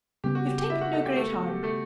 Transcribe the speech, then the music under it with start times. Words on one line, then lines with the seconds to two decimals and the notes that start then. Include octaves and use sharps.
"You've taken no great harm."
0.24 C#3 G3 B3 G4
0.35 F#4
0.47 G4
0.58 G4
0.70 E4 E5
0.81 F#4 F#5
0.93 A4 A5
1.05 G4 G5
1.16 A3 A4
1.32 F#4
1.48 G4
1.63 A3 A4